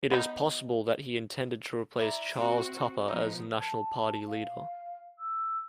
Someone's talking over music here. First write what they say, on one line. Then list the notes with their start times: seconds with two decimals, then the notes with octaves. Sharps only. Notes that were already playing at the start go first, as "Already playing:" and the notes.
It is possible that he intended to replace Charles Tupper as national party leader.
0.11 B3 D#4
1.99 E4 D5 A#5
2.38 C4 F#4
3.08 F3 B3 D#4
3.58 A5
4.27 F5
5.19 E6